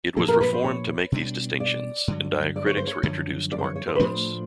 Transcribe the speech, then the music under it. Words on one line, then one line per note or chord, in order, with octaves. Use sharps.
It was reformed to make these distinctions, and diacritics were introduced to mark tones.
A#2 F3 A#3 D4 A4
A#4
B4
C5
C#5
B2 G3 A#3 D4
D5
G2 D3 F#3
D5
C#5
C5
C#5
F#2 D3 F3
D5
C5
C#5
C#5
C5
B4
A2 F3 A3 D4 C5